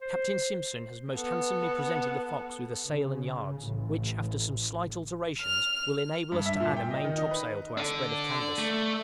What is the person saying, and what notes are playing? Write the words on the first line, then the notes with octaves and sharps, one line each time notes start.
Captain Simpson has most handsomely presented the 'Fox' with a sail and yards, which, after some slight alterations, will enable us to add a main topsail to our spread of canvas.
C5
B3 A4
C#3
A1
F6
G2
E5
A#2
G5
D#5
D#3
D#4
B4
D4 A4
D5
A3